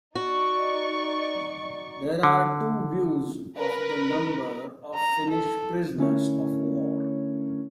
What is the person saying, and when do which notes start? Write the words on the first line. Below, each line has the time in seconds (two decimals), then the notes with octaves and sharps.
There are two views of the number of Finnish prisoners of war.
0.15 D#4 F#4 D5 C#6
2.23 D3
3.57 A#4 B4
4.95 A#5
5.31 A4
5.98 D3 A3 C#4 E4 A#4 C#5